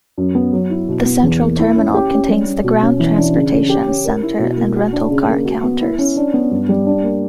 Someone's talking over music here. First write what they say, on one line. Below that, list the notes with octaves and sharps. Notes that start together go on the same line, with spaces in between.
The Central Terminal contains the ground transportation center and rental car counters.
F#2
B3
F#3
E4
B2
B3
E2
A#3
E4
C#4
G4
C#4
G3
C#4
B2
C#4
E3
D4
C#3
C#4
G4
C#4
A#4
E4
B2
A#3
F#4
D4
C#3
A#3
F#4
B3
E4
C#4
D4
B3
G2
G3
D4
A#3